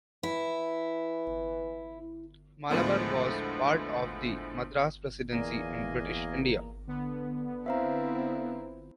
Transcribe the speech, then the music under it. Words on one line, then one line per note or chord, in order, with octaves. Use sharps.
Malabar was part of the Madras Presidency in British India.
E3 E4
D2 A2 D3 F3 G#3 B3
E2 A#2 A#3 F4 A#4 D#5 G#5 A#5
D3 B3
C4 E4 B4 C5 E5 F5 A#5